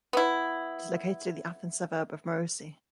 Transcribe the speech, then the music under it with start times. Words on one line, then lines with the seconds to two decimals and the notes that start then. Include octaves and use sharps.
It is located in the Athens suburb of Marousi.
0.13 B3 E4